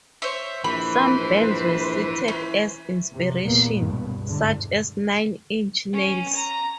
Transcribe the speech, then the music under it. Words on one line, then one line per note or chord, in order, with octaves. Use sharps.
Some bands were cited as inspiration, such as Nine Inch Nails.
C5 C#5 E5
A#1 E3 B4 C5 B5
E3 C#4
F#2 C3
E2 A#2 A#3 B3
C#2 G2 B2
E2 G#2 D3
C#4
A#5